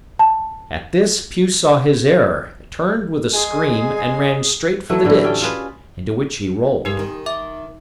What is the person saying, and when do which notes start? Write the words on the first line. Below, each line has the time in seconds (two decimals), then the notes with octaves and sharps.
At this Pew saw his error, turned with a scream, and ran straight for the ditch, into which he rolled.
0.19 A5
3.34 G#3 G#4 G#5
4.90 F#3 A3 E4 B4
5.04 A2 D3 E3 F#3
5.24 C#4 G4 A4 G5
5.42 F4 G#4 B4
6.85 G2 D#4 G4 A#4
6.99 D#3
7.26 E5 D6